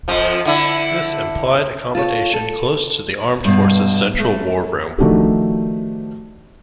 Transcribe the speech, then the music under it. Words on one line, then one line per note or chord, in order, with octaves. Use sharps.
This implied accommodation close to the armed forces' Central War Room.
F2 F3
D3 E4
F4 A4 B4 C#5
A4
G2 B2
A3
D#3 F3 A3 D4 F#4 G4